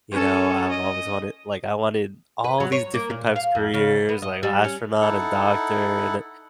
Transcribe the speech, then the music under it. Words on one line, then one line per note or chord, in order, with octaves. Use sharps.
you know, I've always wanted like, I wanted all these different types of careers, like astronaut and doctor and a
C#4 A4
D#5
B4
F#3
C#5
A#3
A#2
F5
F2
C#3
B3
D#5
G3
C#4
D#4 E4 A4 F#5